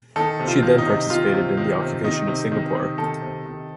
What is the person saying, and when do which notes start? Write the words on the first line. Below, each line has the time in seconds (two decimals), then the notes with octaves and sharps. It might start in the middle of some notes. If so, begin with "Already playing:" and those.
She then participated in the occupation of Singapore.
0.16 D#3 A4
0.39 C3
0.47 F4
0.63 D#3
0.78 D#4
0.87 C3
1.10 D#3 F4
1.34 C3
1.57 D#3
1.81 C3
2.04 D#3 D#4
2.28 C3
2.52 D#3
2.75 C3
2.98 D#3 A4
3.22 C3
3.46 D#3